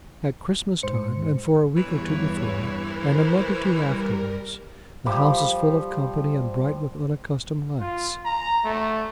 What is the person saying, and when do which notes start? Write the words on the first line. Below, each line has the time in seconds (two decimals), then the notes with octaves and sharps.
At Christmas time, and for a week or two before, and a month or two afterwards, the house is full of company and bright with unaccustomed lights.
0.83 G#2 C5 C#7
1.76 E2 G2 E3 C#5
2.79 A#4 C5
3.67 G3 A#4
5.06 F3 G3 G4 D6
7.80 F4
8.25 A#5
8.64 A3